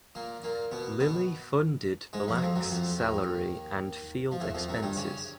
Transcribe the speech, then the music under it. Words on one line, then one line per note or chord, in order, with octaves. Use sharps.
Lilly funded Black's salary and field expenses.
A#2 A#3
A#2 A#3
B2 B3
B2 B3
G#2 G#3
F2 F3
F#3
F2 F3
F#2 F#3
F2 F3
D#2 D#3
F3
E2 E3
F2 F3
F#2 F#3
G2 G3
C#3 C#4